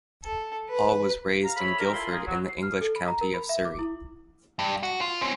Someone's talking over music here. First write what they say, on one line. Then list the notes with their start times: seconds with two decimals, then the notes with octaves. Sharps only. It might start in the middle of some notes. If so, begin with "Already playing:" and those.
Holl was raised in Guildford in the English county of Surrey.
0.24 A4
0.69 B4
1.44 F5 A#5
1.56 G#4 C5 C#5 E5 B5
1.79 G2 C4 A#4
1.94 E4 F4 A4 G#5 B5 C6
2.11 F4 G#4 A#4
2.27 F#3
2.49 C7
2.63 F6
2.81 A4
2.96 B5
3.08 A#5
3.21 A#4
3.34 B5
3.49 E5
3.65 D6
3.79 E4
4.59 G2
4.83 F#4
5.01 F4
5.21 C4 C#4